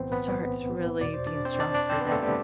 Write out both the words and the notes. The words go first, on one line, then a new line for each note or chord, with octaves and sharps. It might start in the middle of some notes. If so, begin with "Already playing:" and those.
starts really being strong for them.
Already playing: B1 A2 E3 B3 C4 B4 C5
B3 B4
E2 B2 D5
C5
D4 D5
C4 C5
D4 D5
D4 D5
C4 C5
B3 B4
A3 A4
G3 G4